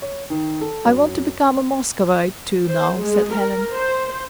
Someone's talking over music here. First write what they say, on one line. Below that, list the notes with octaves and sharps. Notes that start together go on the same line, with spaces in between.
"I want to become a Moscovite too, now," said Helene.
C#5
D#3
A4
F#2
C5
G#3
A#4
C5